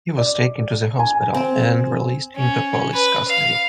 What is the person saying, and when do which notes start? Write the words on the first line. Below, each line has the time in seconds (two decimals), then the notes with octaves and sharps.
He was taken to the hospital and released into police custody.
0.18 D5
0.99 G#5
1.34 C4
2.36 C#4
2.94 B4
3.28 F5